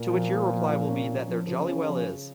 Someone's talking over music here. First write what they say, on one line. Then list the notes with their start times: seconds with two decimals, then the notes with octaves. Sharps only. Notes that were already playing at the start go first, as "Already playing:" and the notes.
To which your reply will be that there jolly well is.
Already playing: A#2 A#3
0.09 F3
0.29 A#3
0.49 F3
0.69 F3
0.88 C#4
1.08 C#4
1.28 F3
1.47 C#3 F3
1.67 C#4
1.86 F3